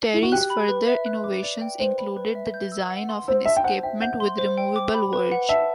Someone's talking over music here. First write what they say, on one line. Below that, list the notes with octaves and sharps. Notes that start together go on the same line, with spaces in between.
Terry's further innovations included the design of an escapement with removable verge.
E4
F#4
G4 F#6
B5
B4
E5
F#6
D6
D5
G5
B4 C5
B5
B4
E5
G6
E6
F#5
C6
C5 E6
E5 A5
G5
C5 F#5
E5 G5
F#5 G6
C6
C5
G5
D6
B5
B4
F#5
E5 A5